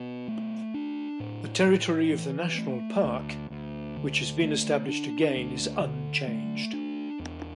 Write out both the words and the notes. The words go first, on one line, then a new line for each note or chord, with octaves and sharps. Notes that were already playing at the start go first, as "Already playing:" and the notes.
The territory of the national park, which has been established again, is unchanged.
Already playing: B2
A3
D4
A2
A2
E3
A3
D2
D2
D3
A3
D4
D2
D3
A3
D4
E2